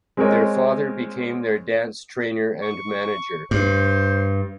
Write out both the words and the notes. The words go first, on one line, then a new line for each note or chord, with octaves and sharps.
Their father became their dance trainer and manager.
G#3 C4 G#4 A#4 C#5 D#5
C#6
G2 C5